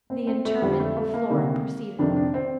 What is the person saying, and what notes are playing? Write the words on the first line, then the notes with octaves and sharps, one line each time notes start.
The interment of Flora proceeded....
C4
C4
A3
F2 D3 F3 G3
A3
A3
A#3
D2 C3 D#3
F2 C3 D#3 D4
D4
C4